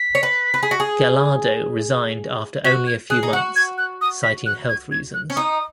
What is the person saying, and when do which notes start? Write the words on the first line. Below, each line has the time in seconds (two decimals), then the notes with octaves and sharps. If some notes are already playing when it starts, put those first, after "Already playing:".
Gallardo resigned after only a few months, citing health reasons.
Already playing: B6
0.15 C#5
0.23 B4
0.54 B4
0.63 G#4
0.71 F#4
0.80 G#4
2.65 F#4 B6
2.87 G#6
3.10 G#4 F#6
3.23 D#4
3.32 F#4 F#5
3.56 G#6
3.78 F#6
4.01 D#6
4.23 B6
4.46 F#6
4.69 G#6
4.91 G#6
5.14 F#6
5.30 C#4
5.36 D#4 D#6